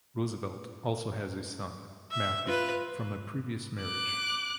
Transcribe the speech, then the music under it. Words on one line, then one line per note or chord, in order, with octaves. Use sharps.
Roosevelt also has a son, Matthew, from a previous marriage.
E5
F4 B4
D6 F#6